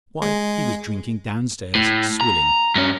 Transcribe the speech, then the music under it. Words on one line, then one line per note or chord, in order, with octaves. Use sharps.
Why, he was drinking downstairs--swilling.
G#3
A2
A#5
G2 C#4